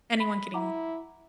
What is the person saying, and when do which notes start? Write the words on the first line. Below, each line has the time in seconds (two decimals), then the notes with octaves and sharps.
anyone getting
0.17 B5 B6
0.54 E4 F#5 A#5 D6